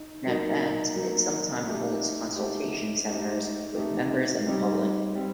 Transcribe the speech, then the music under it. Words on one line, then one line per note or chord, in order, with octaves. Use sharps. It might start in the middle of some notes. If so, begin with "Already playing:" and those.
In advance it sometimes holds consultation seminars with members and the public.
Already playing: D#4
F#3 A#3 D#4
F#3 A#3 D#4
A3 D#4 G4
A3 D#4 G4
A3 D#4 G4
A3 D#4 G4
G3 C4 D#4 G4
G3 C4